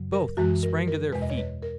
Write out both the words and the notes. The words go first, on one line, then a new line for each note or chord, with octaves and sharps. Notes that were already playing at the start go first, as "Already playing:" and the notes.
Both sprang to their feet.
Already playing: F#2 C#3 F#3
A#4
F#2 E3 G#3 F#4
A#4
A#4
E2 B2 G#3 B4
D#5
C#5
B4
A#4